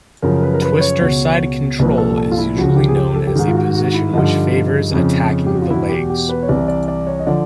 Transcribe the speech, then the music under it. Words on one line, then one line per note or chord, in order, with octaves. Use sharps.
Twister side control is usually known as a position which favors attacking the legs.
F#2 C#3 F3 A#4
B4
A#4
B4
C#5
C#2 B2 C#5
C2 A#2 F3 B4
A4
A4
F4
E4
C#2 C#3 F3 F#4
G4
G#4
G4
A4
G4
G#2 D#3 G#4
F4
F#4
F#4
E4
G2 D3 F3 D#4
F2 C#3 F3
G4
F#4
F4
E2 B2 E4
G4
G4
B4
C#5
C2 C3 E3 D5
D5
D5
C#5
D#5
D3 F3 D5